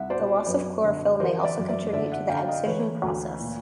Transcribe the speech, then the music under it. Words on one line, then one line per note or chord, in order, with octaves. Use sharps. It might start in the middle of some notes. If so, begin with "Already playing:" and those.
The loss of chlorophyll may also contribute to the abscission process.
Already playing: C2 E5 F#5
B2 C5 D5
F#2 B4 C#5
D3
E3 A#4 C5
D5 E5
F#2
D5 E5
D3 D5 E5
E5 F#5
D3 F5 G5
D#5 F5
E3 B4 C#5
D2
A#2